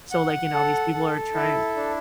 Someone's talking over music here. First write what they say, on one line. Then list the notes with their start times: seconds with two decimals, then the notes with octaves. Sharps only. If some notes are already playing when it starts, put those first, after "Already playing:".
so, like, you know, these people are trying
0.11 F#5
0.53 A4
0.93 A4
1.34 E4
1.76 D4